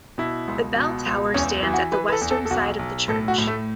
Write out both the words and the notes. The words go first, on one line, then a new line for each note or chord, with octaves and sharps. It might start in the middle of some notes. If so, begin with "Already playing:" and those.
The bell tower stands at the western side of the church.
B2 E4
C#2
B2
C#2
E2 C#4
E3
F#4
E3 B4
B4
A4
E2
A4
A4
B1 F#4
B1
A2 A4
F#4
A2
A3